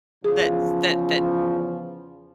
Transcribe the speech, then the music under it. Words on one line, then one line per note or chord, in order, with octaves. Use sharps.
that's that that
E2 C#3 F3 G#4